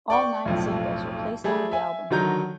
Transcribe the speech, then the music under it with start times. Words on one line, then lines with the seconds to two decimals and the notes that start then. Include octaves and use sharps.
All nine singles were placed on the album.
0.10 D5 G5 C#6
0.45 B1 F2 A2
1.44 G3 A3 G#4
1.71 E5 G#5
2.10 D3 D#3 F#3 A#5 G6